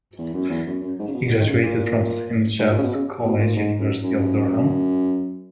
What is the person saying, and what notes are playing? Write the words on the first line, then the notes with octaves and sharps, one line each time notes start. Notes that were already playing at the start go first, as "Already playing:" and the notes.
He graduated from Saint Chad's College, University of Durham.
E2
F#2
E2
F#2
F#2
G#2
C#3
B2
A#2
B2
D#3
C#3
A#2
G#2
A#2
C#3
B2
C#3
B2
A#2
G#2
F#2
F#2